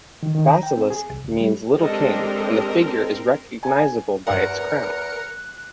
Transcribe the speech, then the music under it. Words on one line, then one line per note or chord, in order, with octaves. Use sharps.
Basilisk means "little king" and the figure is recognisable by its crown.
D#3
D#3
A#5
G5
C4
G#4
C2
D2
G3
G#3 C4 D4 G4 A4 A#4 D#5
G#5
E2 G2 A#4 F#5 F#6 C#7